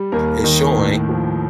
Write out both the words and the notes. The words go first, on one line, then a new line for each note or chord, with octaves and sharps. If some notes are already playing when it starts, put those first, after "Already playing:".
is showing
Already playing: G3
D#2 A#4
D#3
A2
F3